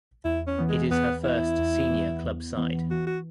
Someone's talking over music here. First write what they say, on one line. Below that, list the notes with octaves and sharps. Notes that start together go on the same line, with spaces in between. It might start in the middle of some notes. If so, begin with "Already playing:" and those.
It is her first senior club side.
E2 E4
C#4
E3 B3
G#3
E2 B3
E3 B3 E4
E2
E3 B3
E2
E3 B3
E3 F#4
F#4